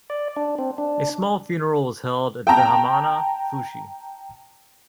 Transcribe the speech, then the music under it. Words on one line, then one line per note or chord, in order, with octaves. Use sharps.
A small funeral was held at Vihamanaa Fushi.
D5
D4
C4
D4
G5 A5 A#5